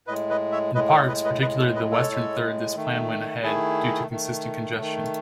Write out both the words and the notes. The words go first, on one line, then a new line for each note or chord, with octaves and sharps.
In parts, particularly the western third this plan went ahead, due to consistent congestion.
A2 G#3 B4 D#5
B4 D#5
C#5 E5
A2 G#3 B4 D#5
A4 C#5
B4 D#5
B4 D#5
A2 G#3 B4 D#5
A4 C#5
B4 D#5
A4 C#5
A2 G#3
D#3 A3
D#3 A3 E4 G#4
D#3 A3
D#3 A3